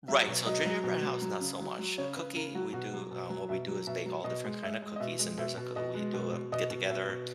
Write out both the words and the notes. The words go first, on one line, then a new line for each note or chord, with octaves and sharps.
Right so, gingerbread house, not so much. Cookie, we do uh, what we do is bake all different kinda cookies, and there's a c uh, we do a get-together,
F#3 E5
B2
F#3 D#5
F#3
B2
F#3
F#3
C#3
F#3
F#3
C#3 C#5
C#3 B4
C#3 A#4
F#3 F#4
B2 F#4
F#3
B2
F#3
B2 E5
F#3
B2 E5
F#3
B2 D#5
G#3
G#3 E5
G#3
D#5
B2 E5
G#3
B2 E5
B2
B2 D#5
G#3
B2
B2
B2 D#5
B2
B2 E5
B2